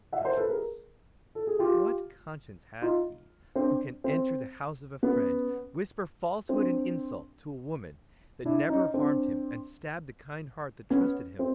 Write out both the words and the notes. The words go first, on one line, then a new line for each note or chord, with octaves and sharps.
Conscience! what conscience has he, who can enter the house of a friend, whisper falsehood and insult to a woman that never harmed him, and stab the kind heart that trusted him?
E5 F#5
A#4 C5
A4 B4
G#4 A#4
A4
G#4
F4 G4
D#4 F4
C4 D4
C4
B3 C#4
C4 D4
D4 E4
C#4 D#4
C4 D4
B3 C#4
C4